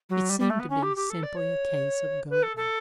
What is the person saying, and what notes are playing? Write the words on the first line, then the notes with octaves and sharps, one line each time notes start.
It seemed to be simply a case of going.
F#3
G3
G3
A3
B3
C#4
G4
G4
A4
D5
C#5
B4
A4
A4